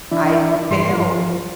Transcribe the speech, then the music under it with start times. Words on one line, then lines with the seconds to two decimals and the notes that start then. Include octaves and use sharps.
I failed
0.12 E3 D4 E4
0.71 G2 E3 C6
0.93 F3